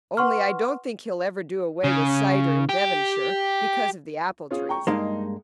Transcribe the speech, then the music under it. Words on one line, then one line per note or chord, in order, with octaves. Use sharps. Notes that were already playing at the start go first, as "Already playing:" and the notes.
Only I don't think he'll ever do away with cider in Devonshire, because of the apple trees.
B4 F#5 C6 C#6 F6
C#3
G4
C#4 F4 G#4
G5 A#5 C#6
G2 G#3 A#3 D#4